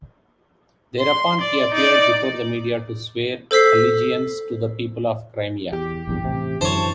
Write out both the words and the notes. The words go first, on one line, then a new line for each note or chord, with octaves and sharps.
Thereupon he appeared before the media to swear allegiance to the people of Crimea.
C6
D5
D#4 D5
A4 C5 E6 B6 C7
E2 G4
A#1 E2 G2
A1 C3
F#2 D3 E3 C5 C#5 A5